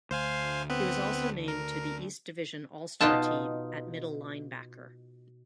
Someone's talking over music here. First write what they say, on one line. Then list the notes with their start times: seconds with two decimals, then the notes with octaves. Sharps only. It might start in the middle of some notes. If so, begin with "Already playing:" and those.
He was also named to the East Division All-Star team at middle linebacker.
0.11 D2 C5 F5 G#5
0.70 B3 C4 B4
1.48 A#4
3.01 B2 D#4 F4 A5